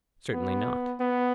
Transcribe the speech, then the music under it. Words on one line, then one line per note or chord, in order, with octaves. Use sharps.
Certainly not.
B3
B3